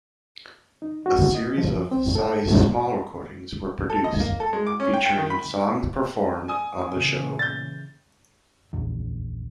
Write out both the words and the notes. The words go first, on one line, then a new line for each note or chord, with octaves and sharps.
A series of "Size Small" records were produced, featuring songs performed on the show.
D#4
F#4
D#5
F3
C4
A4
G#2
A4
D#5
A#3
A4
G#3
D6
C#4
G5
G5
D#3
B5
G#5 D#6
A#2 C#3 E3
G6 A6
D1 A#1 E2